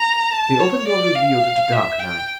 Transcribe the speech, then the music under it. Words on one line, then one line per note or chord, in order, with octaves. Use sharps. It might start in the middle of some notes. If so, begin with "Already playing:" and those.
The open door revealed the dark night.
Already playing: A#5
A5
C#5
D5
F5
E5
G5